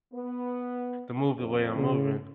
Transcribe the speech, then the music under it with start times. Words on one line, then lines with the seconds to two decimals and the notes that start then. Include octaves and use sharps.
to move the way I'm moving
0.13 B3
1.37 F2
1.76 C#3